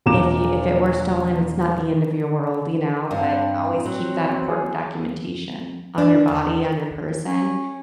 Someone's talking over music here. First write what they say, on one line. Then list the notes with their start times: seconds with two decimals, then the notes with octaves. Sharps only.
if you if it were stolen, it's not the end of your world, you know, but always keep that important documentation on your body, on your person,
0.06 E1 A#2 A#5 D6 E7
3.11 G2 C4
3.86 F#3
4.49 G#4
5.98 D4
6.28 E2
7.27 C#4